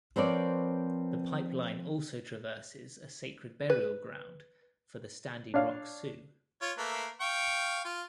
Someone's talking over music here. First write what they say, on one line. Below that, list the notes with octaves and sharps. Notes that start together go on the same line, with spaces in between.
The pipeline also traverses a sacred burial ground for the Standing Rock Sioux.
F3 C4 A#4 B4 C#5 D5
B4
D4 C#5 F5
F4 C#5
A3 A#3 B4
F5 G5 C#6
F4